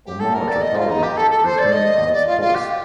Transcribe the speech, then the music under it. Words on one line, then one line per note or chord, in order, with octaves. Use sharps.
Omar Chaparro returned as host.
G4
A4
A#4
D5
D#5
F4
D#4
G4
A4
A4
C5
D5
D#5
D5
F4
F4
G4